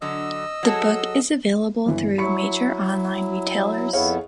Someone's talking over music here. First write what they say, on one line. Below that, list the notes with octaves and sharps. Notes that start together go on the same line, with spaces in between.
The book is available through major online retailers.
D3 F#3 D#5 E6
F#3 G#4 A4
G1 E3
F#3 E4 B5 C#6 C#7
F2 B3 E4 G#4 C#5 F5